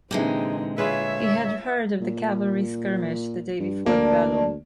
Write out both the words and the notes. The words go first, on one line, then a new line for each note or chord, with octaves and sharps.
He had heard of the cavalry skirmish the day before the battle.
A#2 D3 E3 G#3 C4 D#4 G4
F4 G#4 B4 C#5 E5
A#2
G2
D2 A#3 D5 A5